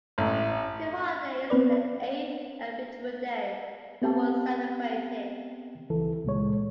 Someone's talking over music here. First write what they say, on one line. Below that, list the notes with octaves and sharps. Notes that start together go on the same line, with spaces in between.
Two holidays, the Eighth and Victory Day, were once celebrated.
A1
B3 C4 B4 D5
B3 C4 G4 G5 A5
C#2 E3 A4
C#2 A#2 G#3 C#5